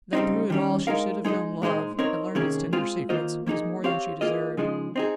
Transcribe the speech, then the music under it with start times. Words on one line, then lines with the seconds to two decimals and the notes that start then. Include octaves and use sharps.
That through it all she should have known love, and learned its tender secrets, was more than she deserved.
0.13 C#3 G3 C4 D#4
0.50 D#3 G3 C#4
0.87 G#3 D#4 A#4 F5
1.25 G#3 D#4 G#4 D#5
1.62 A#2 G#3 D#4 G#4 C5
1.99 C4 D#4 A#4 C#5
2.35 C3 D#3 A#3 C#4 G#4
2.73 G#3 C4 F4 G#4
3.09 D#3 A#3 F4 C5 D#5
3.46 F3 A#3 D#4 G#4
3.84 C4 G4 C#5 F5
4.21 A#3 F4 G#4 D#5
4.57 C#3 F3 G#3 D#4 G#4
4.96 C4 D#4 G#4